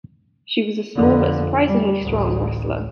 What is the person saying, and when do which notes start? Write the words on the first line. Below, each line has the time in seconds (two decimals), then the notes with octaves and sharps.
She was a small but surprisingly strong wrestler.
0.96 F2 D3
1.68 G3
2.02 A1 D2